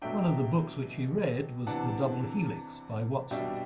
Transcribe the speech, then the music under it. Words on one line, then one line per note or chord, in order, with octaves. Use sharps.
One of the books which he read was "The Double Helix" by Watson.
B2 F#3 A3 D4 E5 G5
C3 E3 B3 D4 F#5 A5
B2 G3 D4 E5 G5